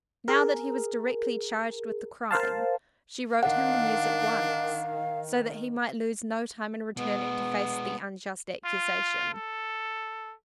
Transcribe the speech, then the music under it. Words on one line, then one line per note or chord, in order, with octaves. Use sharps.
Now that he was directly charged with the crime, she wrote him the news at once, so that he might lose no time in returning to face the unjust accusation.
G#4 A#4
A#4 C5 F5 A5
D#3 D4 F5 F#5
B2 G#3 B3
F4
A4